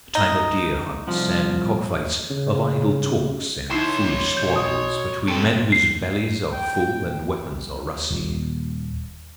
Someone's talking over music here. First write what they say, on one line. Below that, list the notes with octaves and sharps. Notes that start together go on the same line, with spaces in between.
A time of deer-hunts and cock-fights; of idle talks and foolish squabbles between men whose bellies are full and weapons are rusty.
D#4
C2 F3
C#3
D#4 E4 C#5 C6 C7 E7
B2 G6
D#6
C3 C4 A4
C7
G5
D#1